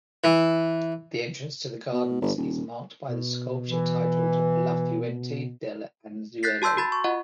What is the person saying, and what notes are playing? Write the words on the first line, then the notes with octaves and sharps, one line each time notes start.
The entrance to the gardens is marked by the sculpture titled “La Fuente del Anzuelo”.
E3
B2
G1
D#1
B2
E3
F#6 G6 A6 B6 C7
F#4 A5 C6 E6 G6
F#4 B5 A6
C#6
F4 D#5 F#5